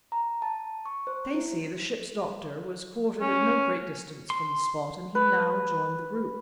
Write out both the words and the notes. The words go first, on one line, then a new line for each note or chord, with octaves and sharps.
Stacey, the ship's doctor, was quartered at no great distance from the spot, and he now joined the group.
A#5
A5
C#6
C5
E4
C#4
C6
B4